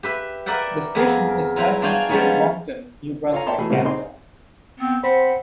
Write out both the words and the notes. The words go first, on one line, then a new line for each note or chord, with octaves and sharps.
The station is licensed to Moncton, New Brunswick, Canada.
G4 B4 E5
A#4 B4 D5 E5 F#5 G5
F2 B3 C4 G#4 A#4
F#3 E4 B4 C5 A#5
D4 F4 F#4 F5 G5 G#5
F3 G3 G#3 B3 C#4 D#4
F4 A4 C#5 F5 G#5 A#5
C#5 D5 E5 G5 A5 C6
B2 E3 A3 G#4 B5
A#2 C#3 G3 G#3 A#3 C4
C4 D#4 G#4 C6
B3 C4
C4 C5 F#5 B5